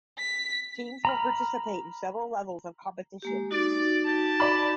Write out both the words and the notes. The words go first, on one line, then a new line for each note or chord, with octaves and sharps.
Teams will participate in several levels of competition.
B6
A#5 B5 F6
G#3 A#3 G4
D#4 F#4 D5
G4 A5
D5 B5